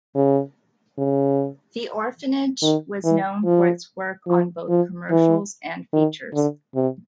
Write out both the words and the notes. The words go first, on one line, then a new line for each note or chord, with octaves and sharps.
The Orphanage was known for its work on both commercials and features.
C#3
C#3
D#3
E3
F3
F3
F3
E3
D#3
D3
C3